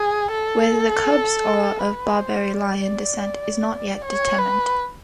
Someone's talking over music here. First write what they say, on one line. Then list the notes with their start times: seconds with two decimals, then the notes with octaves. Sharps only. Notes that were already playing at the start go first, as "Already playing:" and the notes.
Whether the cubs are of Barbary lion descent is not yet determined.
Already playing: G#4
0.31 A4
1.79 B4
2.17 C5
2.53 D5
4.02 C#5
4.38 B4